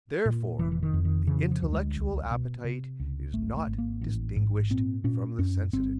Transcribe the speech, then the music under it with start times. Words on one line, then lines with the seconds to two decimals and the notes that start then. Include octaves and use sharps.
Therefore the intellectual appetite is not distinguished from the sensitive.
0.25 A#2
0.59 F1 E3
0.72 E3
0.83 D#3
0.93 F2
1.05 D#3
1.27 C#3 E3
1.51 F3
1.62 D2
1.73 G#3
1.97 C2
2.31 B2
2.64 C3
3.00 C#2
3.33 G#1 A3
3.57 A3
3.67 G#1
3.78 A#3
4.01 A1
4.36 G#2
4.70 A#2 C4
5.04 A#2 C#4
5.39 F#2 C#4
5.73 G1 C4